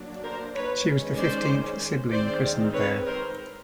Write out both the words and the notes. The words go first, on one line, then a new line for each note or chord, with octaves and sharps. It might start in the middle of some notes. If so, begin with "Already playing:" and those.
She was the fifteenth sibling christened there.
Already playing: F#3 A#3 D4
A#4 C5
B4 C#5
D#3 G#3 C#4
C5 D5
D#3 G#3 C4 C5 D5
B4 C#5
A#4 C5